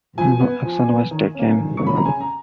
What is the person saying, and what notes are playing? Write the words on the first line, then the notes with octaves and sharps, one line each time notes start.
No action was taken.
F3 G#5
B3
F3
B3
D#3
A#3 C#4
D#3
C#6
A#3 C#4 B5
A#5
C#3 G#5
A#5